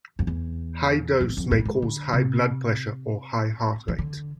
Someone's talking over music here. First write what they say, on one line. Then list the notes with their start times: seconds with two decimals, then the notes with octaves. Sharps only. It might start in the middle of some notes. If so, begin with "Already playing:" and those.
High dose may cause high blood pressure or high heart rate.
0.19 F2
0.27 E2
1.20 F2
1.29 E2
1.37 F2
1.51 G#2
1.59 A2
1.65 G#2
1.82 D3
2.13 C3
3.88 E3
3.99 D3